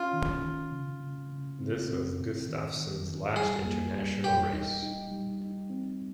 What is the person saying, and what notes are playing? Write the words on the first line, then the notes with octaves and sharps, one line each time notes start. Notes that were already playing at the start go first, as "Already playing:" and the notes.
This was Gustafson's last international race.
Already playing: C#4 F4
D#3
D#3
C#3
C#3
C#3
C4
C4
A#2
D#3
D#3
D#3
G3 G#4
A#3
G3
A#2 G4
D#4
D#4
G3
D#4
C4